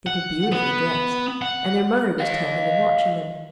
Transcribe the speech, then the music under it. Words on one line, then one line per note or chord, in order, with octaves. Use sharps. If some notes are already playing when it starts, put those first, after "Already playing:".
They were beautifully dressed, and their mother was tending and watching them.
F#5
B3
F#5
D#5 F5